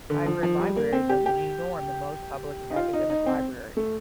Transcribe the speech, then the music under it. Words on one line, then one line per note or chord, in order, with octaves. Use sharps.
Hybrid libraries are the new norm in most public and academic libraries.
D3
F3
F3
G3
A#3
C4
G4
G4
D#4
F4
D#4
D#4
C4
A3